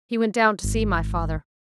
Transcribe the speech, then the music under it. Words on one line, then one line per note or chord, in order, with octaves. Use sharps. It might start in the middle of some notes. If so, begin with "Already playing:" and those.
He went down to see my father.
G#1